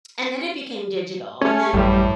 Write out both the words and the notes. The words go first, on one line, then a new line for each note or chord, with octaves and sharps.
and then it became digital and then,
A3 C#4
A1 F#2 A2 G3